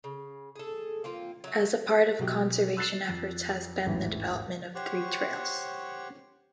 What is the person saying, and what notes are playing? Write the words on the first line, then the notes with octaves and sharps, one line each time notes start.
As a part of conservation efforts has been the development of three trails.
C#3
G#4 A4
A#3 C4 F4
F#3 A3
B2 F#3 G4
E6 F#6 A6 C7 E7
F2
A1 E2 G#2 E3
G4 C5 C#5 F#5 C#6